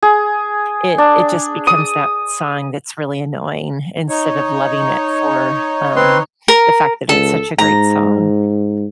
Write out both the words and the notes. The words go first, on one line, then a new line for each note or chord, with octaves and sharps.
it it just becomes that song that's really annoying instead of loving it for, um, the fact that it's such a great song.
G#4
D4
D#6
D#4 C#5
C4 B4 C6
A#4
C#2 A4
G#2 A#5